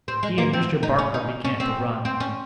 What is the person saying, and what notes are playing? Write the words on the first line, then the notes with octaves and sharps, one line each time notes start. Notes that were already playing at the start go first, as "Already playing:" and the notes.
He and Mr. Barker began to run.
C4
G#3
A#3
C4
D#4
C#4
D#4
C#4
C4
C4
C#4